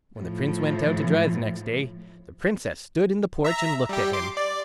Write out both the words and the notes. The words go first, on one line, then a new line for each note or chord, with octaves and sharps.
When the prince went out to drive next day, the Princess stood in the porch and looked at him.
A2 F3
E5 A#5
G3 G4
C6 D6
D5